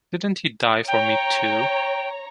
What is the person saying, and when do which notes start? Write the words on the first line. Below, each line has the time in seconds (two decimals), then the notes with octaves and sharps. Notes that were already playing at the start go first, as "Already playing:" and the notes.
Didn't he die for me too?
0.88 C#5 G5 A#5